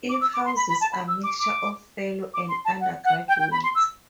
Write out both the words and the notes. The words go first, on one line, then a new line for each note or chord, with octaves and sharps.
It houses a mixture of fellows and undergraduates.
D6
E6
D6
C6
B5
B5
A5
B5
E6
D6
D6
D6
C6
A5
F#5
F#5
G5
G5
B5
C6
E6